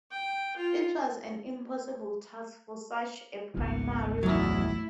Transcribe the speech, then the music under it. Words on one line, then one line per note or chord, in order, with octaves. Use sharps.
It was an impossible task for such a primal being.
G5
F4
G#1 C#2 G#2 B3
E2 F#3 A3 E4